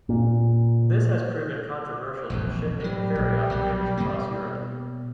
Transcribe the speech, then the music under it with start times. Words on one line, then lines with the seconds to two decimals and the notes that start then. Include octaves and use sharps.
This has proven controversial for shipping and ferry operators across Europe.
0.09 A#2
2.30 E1 A#1 F2
2.80 A2 F#3 G3
3.15 A#1
3.50 B1 B2 F#3
3.97 B2 A#3